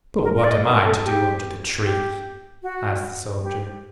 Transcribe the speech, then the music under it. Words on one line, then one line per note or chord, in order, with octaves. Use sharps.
"But what am I to do under the tree?" asked the soldier.
A#4
A#4
D5
D#5
A#4
A4
G4
G4
F#4
G4